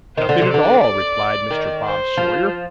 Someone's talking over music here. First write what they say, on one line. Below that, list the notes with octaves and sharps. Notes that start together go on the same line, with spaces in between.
'Nothing at all,' replied Mr. Bob Sawyer.
D#3 C5
D3
C3
D3 D5
D#3
C5
F3